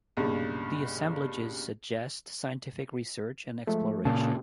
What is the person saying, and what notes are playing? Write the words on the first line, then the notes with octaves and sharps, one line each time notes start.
The assemblages suggest scientific research and exploration.
B1 G2 A#2 C#3
F3 G#3 A3
A#2 C#3 A5